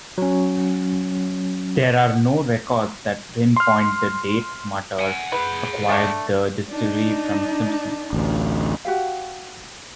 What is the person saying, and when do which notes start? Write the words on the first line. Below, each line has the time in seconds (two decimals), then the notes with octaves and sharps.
There are no records that pinpoint the date Mutter acquired the distillery from Simpson.
0.18 F#3 C#4
3.57 C6 F6
4.99 F#5 G#5
5.32 G#4 B4 F#5
5.89 A3 D4
6.69 D4 D#4
8.13 A1 D2
8.85 F#4 G4 F5